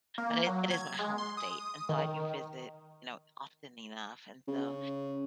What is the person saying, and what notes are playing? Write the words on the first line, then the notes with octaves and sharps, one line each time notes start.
but it it is my home state, and so I do visit, you know, often enough, and so,
A#3
F#3
G#6
G#3
C6
D#6
D#3
C#3